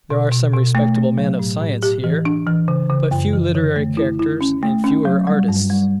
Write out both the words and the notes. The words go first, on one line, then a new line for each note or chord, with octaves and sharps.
There are some respectable men of science here, but few literary characters, and fewer artists.
B2
B2
B2
A3
A3
F#3
A2
A2
G4
E3
D4
E3
C#3
C#3
F#2
E3
D3
A3
E4
E4
C#4
A3
C#4
F#3
G3
G2
G3